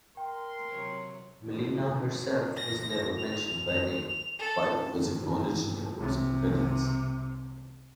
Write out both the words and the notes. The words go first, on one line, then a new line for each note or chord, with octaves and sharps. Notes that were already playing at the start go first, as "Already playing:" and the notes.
Mileena herself was never mentioned by name but was acknowledged in the closing credits.
A#4 G5 C6
C3 F#3 C#5
A#6
F7
F7
A4
C2 C3